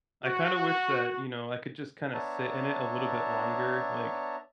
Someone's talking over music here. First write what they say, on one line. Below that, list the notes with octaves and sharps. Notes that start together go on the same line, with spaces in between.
I kinda wish that, you know, I could just kinda sit in it a little bit longer, like,
F#4
B3 D4 C#5 E5 A5 A#5